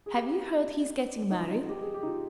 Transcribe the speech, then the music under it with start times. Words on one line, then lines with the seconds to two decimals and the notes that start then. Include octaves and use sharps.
Have you heard he is getting married?
0.06 G#4
0.15 G4
1.31 D#4
1.40 F4
1.50 D#4
1.69 G4
1.82 G#4
1.94 G4
2.03 D#4
2.07 F4